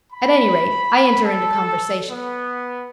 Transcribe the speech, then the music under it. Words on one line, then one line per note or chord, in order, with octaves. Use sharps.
At any rate, I enter into conversation.
B5
A4
B3